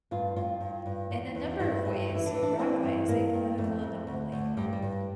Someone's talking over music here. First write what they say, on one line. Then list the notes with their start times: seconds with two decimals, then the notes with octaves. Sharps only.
In a number of ways, Rabi is a political anomaly.
0.11 G2 F4
0.36 G2 F4
0.61 G2
0.86 G2
1.11 E2
1.35 E2
1.60 G2 E4
1.85 G2
2.10 E3
2.15 E4
2.26 D4
2.34 E3
2.43 D4
2.59 E3 C4
2.83 G2
3.08 G2 A#3
3.33 G2
3.58 F2 A3
3.83 F2
4.07 D2
4.32 D2
4.57 G2 G3
4.73 G3
4.82 G2